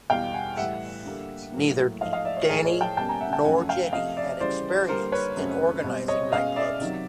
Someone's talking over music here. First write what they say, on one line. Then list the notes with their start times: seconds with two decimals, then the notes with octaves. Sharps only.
Neither Danny nor Jenni had experience in organising nightclubs.
0.10 E2 B2 G3 F5 G5
0.34 F#5 G#5
0.57 A2 E3 G3 E5 F#5
1.05 D3 G3 A#3
1.54 A2 F#3 A#3
2.01 G#2 F3 A3 D#5 F5
2.13 D#5 F5
2.25 D5 E5
2.37 C#5 D#5
2.49 A2 F3 A3 G#4 A#4
2.65 C#5 D#5
2.81 G5 A5
2.97 B2 G3 A#3 C#4 G5 A5
3.09 G#5 A#5
3.21 E5 F#5
3.33 G5 A5
3.45 F#2 C#3 F3 A3 C#4 F#5 G#5
3.69 F5 G5
3.92 C3 F3 A3 D#5 F5
4.17 D5 E5
4.40 C#3 E3 G3 C5 D5
4.88 D3 G3 A#3 A#4 C5
5.12 B4 C#5
5.36 F#2 C#3 F#3 A3 C4
5.84 B2 G3 C4
6.08 C#5 D#5
6.32 B2 G#3 C#4 D#5 F5
6.56 D5 E5
6.80 C3 D#3 F#3